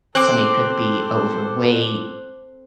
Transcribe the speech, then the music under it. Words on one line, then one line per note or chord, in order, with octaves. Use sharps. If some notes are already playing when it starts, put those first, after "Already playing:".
Somebody could be overweight.
C4 A4 C5 D6 F#6